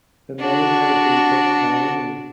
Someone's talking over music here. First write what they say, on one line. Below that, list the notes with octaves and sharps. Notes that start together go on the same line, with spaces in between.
The Mays have a daughter, Naomi.
D4 F#4